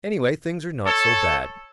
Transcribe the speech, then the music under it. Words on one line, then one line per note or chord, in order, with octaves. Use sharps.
Anyway, things are not so bad.
A4 C#5